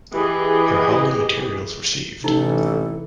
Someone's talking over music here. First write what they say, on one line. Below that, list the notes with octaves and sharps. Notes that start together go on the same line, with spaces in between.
Her hull and materials were saved.
E3 G4 G#4 D#5
A1 C3 E3 D#4 E4 A4